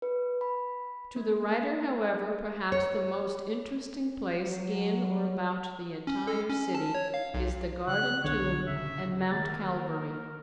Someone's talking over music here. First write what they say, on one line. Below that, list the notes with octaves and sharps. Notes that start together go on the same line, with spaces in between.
To the writer, however, perhaps the most interesting place in or about the entire city is the Garden Tomb and Mount Calvary.
B4
B5
A#3
C#5
F#3
C#4
A4
C#4
A5
C#5
F5
B1
C#3 F#6
B1 E2 D3 C#5
D#1 C#3 E5
D#3 A#3 A#4 A6